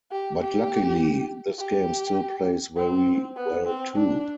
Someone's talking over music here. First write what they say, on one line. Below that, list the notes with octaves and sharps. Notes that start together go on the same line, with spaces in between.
But luckily this game still plays very well too.
G4
G4
G4
C4
B3
C4
D4